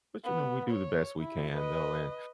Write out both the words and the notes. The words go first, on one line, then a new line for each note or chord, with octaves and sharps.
But, you know, we do the best we can, though, and
B3
C#5
E4
B4 D#5